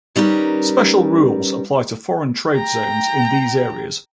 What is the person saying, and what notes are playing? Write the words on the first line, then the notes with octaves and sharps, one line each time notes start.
Special rules apply to foreign trade zones in these areas.
D#3 G3 C#4 A#4 B4
G5 A#5